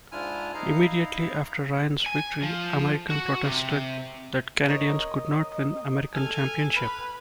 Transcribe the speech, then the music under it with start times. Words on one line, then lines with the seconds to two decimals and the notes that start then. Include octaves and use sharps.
Immediately after Ryan's victory, Americans protested that Canadians could not win an American championship.
0.12 G#2 D4 E4 F4 G#5 F6
0.54 D#4 E4 F5 A#5
2.06 G#5
2.43 F3
3.10 F#4
3.43 C3
4.68 A#4 C#5 D#5
6.14 A4 G#5 F6
6.76 B4 B5 F6